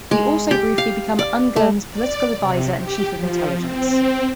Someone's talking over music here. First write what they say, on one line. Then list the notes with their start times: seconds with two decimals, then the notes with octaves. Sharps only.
He also briefly became Ungern's political advisor and chief of intelligence.
0.11 G#3
0.51 G4
0.78 F5
1.19 D5
1.56 A3
1.91 D5
2.39 C3
2.80 G4
3.15 F3
3.57 C4